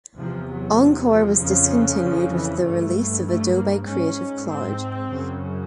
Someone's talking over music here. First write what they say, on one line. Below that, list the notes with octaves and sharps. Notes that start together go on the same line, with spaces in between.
Encore was discontinued with the release of Adobe Creative Cloud.
E2 C3 F3
F#3
F3
F2 C#3
F3
E3
G2 A3
A3
A#3
G#2 C#4
C4
F#2 C#3